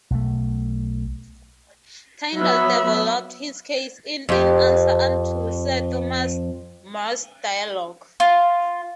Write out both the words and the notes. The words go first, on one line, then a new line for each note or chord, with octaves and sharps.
Tyndale developed his case in "An Answer unto Sir Thomas More's Dialogue".
B1 A3
F#3 B3 E5 B5
F2 G4
F4